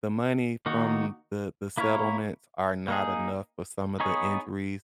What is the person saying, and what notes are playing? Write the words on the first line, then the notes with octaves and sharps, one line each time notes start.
the money from the the settlements are not enough for some of the injuries
D#3 A#3 D#4 F#4
A#3 E4 A#4 C#5
A#3 D#4 G#4
B3 D#4 G#4 C#5